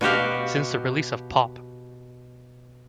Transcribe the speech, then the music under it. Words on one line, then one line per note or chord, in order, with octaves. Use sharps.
Since the release of Pop!
B2 F#4 G4 F5